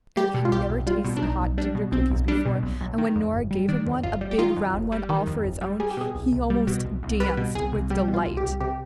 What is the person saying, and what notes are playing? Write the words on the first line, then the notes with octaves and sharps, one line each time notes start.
Eric had never tasted hot ginger cookies before, and when Nora gave him one, a big round one all for his own, he almost danced with delight.
G3 G4
B2
F4
B1 G4
B1
G3 F4
B2
D4
B1 D#4
B1
G3 D4
B2
B1 C4
B1
G3 D4
B2
B1
B1
D#3
F2
G1
G3
D#3 D4
F2
G1 F4
G3
G4
D#3 F4
F2
G1
G3
D#3
F2
G1
G3
G3 G#4
G4
B2 G#4
C2
C2
G3
B2
C2
C2
G3 B4
B2
C2 G#4
C2
G3 G4
B2
F4
C2
G4
C2
C3 G4